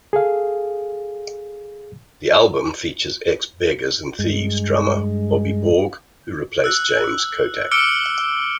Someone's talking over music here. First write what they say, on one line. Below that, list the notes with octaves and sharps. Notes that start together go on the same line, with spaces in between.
The album features Ex Beggars and Thieves drummer Bobby Borg who replaced James Kottak.
G#4 A4 F5
G2 G#3
E6 F#6
D6 E6 F6 C#7 D7 G7